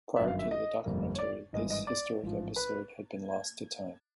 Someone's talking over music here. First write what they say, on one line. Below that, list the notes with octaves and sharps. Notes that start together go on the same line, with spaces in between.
Prior to the documentary this historic episode had been lost to time.
G1 F#2 D#3 F#3 E5
F5
E5
D#5
G1 F2 D3 G3 A#3
C#5
D5
G#1 G2 E3 G#3 D#5
D#5
D5
A1 G#2 F3
B4